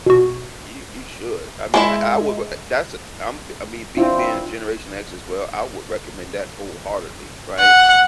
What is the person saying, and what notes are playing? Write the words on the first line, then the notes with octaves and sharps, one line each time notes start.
you you should. I mean, I I would, but i that's a I'm I mean, me being a Generation X as well, I would recommend that wholeheartedly, right?
B2 F#4
G#3 E4 E5
C4 D4 E4 F4
F#5